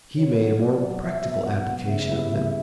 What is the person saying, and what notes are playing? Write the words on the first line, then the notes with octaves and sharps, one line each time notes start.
He made a more practical application of them.
B2 C#5
F#3 B3
B2 D5
F#3 B3
B2 E5
F#3 B3
B2 F#5
F#3 B3
C#3 E5
G3 B3 E4
C#3